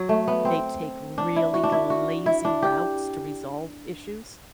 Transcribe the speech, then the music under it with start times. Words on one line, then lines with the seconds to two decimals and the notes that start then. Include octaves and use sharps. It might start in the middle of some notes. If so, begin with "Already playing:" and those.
they take really lazy routes to resolve issues.
Already playing: F#3
0.09 A3
0.28 B3
0.45 C4
1.18 D4
1.36 E4
1.54 F#4
1.63 D4
1.72 E4
1.90 F#4
2.26 E4
2.45 D4
2.62 G4